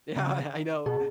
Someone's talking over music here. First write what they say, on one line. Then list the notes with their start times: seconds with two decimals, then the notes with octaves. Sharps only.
Yeah, I I know.
0.16 C#3
0.86 B2 G#4